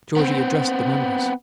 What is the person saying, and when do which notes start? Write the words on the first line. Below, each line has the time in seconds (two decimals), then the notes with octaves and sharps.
Georgie addressed the members.
0.17 B3 C4